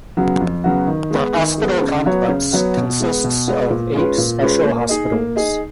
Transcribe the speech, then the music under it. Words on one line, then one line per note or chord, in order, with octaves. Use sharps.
The hospital complex consists of eight special hospitals.
C#3 F#3 B3 F#4
F2
C#3 F#3 B3 F#4
D#3
G#3 B3
D#3
G#3 B3
C#3
F#3 B3 F#4 C#5
C#3
F#3 B3 F#4 C#5
B2
G#3 B3
B2
G#3 B3
A#2
G#3 C#4 F4 B4
A#2
G#3 C#4 F4 B4
A#3
D#4 G#4 D#5
A#3
D#4 G#4 D#5